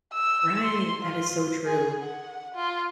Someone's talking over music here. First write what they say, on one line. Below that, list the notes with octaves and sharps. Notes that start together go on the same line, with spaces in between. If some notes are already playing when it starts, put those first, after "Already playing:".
Right, that is so true.
E6
C6
F4
G#4
F#5
F4